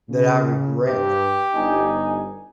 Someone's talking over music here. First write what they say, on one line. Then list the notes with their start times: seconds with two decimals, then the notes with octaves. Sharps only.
that I regret."
0.10 C#3
0.87 G2 G4
1.55 G1 D#4 G#5